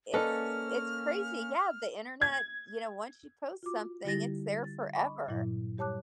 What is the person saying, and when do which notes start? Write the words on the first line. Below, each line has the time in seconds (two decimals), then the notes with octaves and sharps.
it's it's crazy, yeah. The internet you know, once you post something, it's there forever.
0.14 A#3 C#4 A4 B4 D5 D#5 F6
2.22 G#6
3.63 F4 F#4 D6
4.04 D3 G3 E4 G4 A6 A#6
4.64 A6
4.95 D#5 B5 C#6 D6
5.28 G2 A#2 F#3 E4
5.77 G3 G4 C#5 A5 D6 F#6